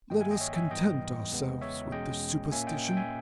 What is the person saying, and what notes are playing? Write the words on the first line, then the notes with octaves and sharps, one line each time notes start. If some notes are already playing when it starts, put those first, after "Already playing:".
Let us content ourselves with this supposition.
G2 D#3 A#3 D#5 G5
E5 G#5
D#5 G5
C#5 E5
E5 G#5
G#2 E3 G3 B3 D#5 G5
E2 C#3 G#3 B3
C#5 E5
E2 B2 G#3 C#4 D#5 G5
A#2 A#3 C#4 E5 G#5
D#5 G5
G5
E5 G#5